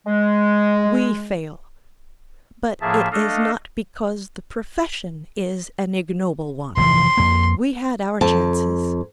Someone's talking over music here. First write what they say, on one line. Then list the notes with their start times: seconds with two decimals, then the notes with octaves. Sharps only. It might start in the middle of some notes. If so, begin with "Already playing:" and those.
We fail, but it is not because the profession is an ignoble one; we had our chances.
0.07 G#3
2.81 A2 F3 A#3 G#4 E5 A5
3.11 A3 D4 A4 D#5 F5
6.77 F1 G#2 E3 C6
7.17 F2 A#3
8.21 F2 A5